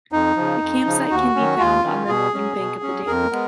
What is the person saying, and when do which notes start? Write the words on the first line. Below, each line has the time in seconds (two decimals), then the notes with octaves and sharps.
A campsite can be found on the northern bank of the dam.
0.12 F2 D#4
0.36 C#3 F3
0.61 F2
0.86 C#3 F3
1.10 D#2 F#4
1.35 D#3 F#3 C#4
1.59 D#2 F4
1.85 D#3 F#3 C#4
2.09 B2 G#4
2.34 F#3 C#4
2.58 B2
2.83 F#3 C#4
3.07 F2 A#4
3.31 G#3 B3